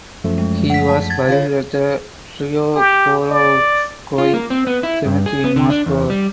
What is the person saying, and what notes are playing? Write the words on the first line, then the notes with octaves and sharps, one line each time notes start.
He was buried at the Troyekurovskoye Cemetery in Moscow.
F#2 F3 A3
G#3
F#5 B6
A5
G#6 A6
D3 F4 C#5 F5
G4
D5
F4
A#3
C4
B3
E4
G2
G#4
B3
D3
D4
E2
G3